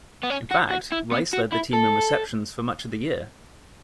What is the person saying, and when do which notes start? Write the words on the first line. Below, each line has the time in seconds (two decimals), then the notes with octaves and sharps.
In fact, Rice led the team in receptions for much of the year.
0.23 B3
0.30 C#4
0.51 F#4
0.71 F#4
0.92 E4
1.12 B3
1.33 F#4
1.52 E4
1.73 A4